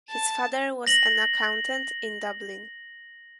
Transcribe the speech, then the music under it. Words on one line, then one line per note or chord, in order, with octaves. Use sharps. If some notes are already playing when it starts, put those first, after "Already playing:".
His father was an accountant in Dublin.
A5
A#6 F#7